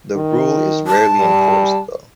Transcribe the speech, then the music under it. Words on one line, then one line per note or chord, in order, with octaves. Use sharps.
The rule is rarely enforced, though.
D#3
A5
G3